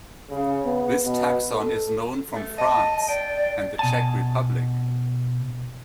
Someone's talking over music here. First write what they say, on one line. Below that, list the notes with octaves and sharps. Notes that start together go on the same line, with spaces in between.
This taxon is known from France and the Czech Republic.
C#3
B3
B2
A4
A3
D#5 A5
D5 G5
B2 G#5 A5